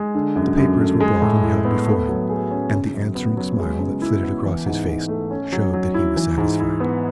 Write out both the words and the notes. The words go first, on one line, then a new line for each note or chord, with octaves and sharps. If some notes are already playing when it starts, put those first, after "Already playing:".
The papers were brought and held before him, and the answering smile that flitted across his face showed that he was satisfied.
Already playing: G#3
D3
F#2
F#2
A3
G#3
A2
E4
B3
A3
F#3
G#4
C#4
C#3
F#2
B3
F#3
G#3
C#3
E4
B3
E3
G#2
G#2
A3
C#4
F#3
F#3
E4
E3
G#2
E4
B3